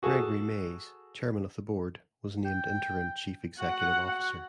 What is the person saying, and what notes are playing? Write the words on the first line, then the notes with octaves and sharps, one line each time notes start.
Gregory Mays, Chairman of the Board, was named interim chief executive officer.
F#4 G#4 A4
G5
F#4 F#5